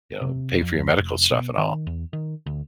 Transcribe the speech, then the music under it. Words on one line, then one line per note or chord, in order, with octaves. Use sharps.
you know, pay for your medical stuff and all.
C3
F2
F1
B2
D#3
E2
D#3
D2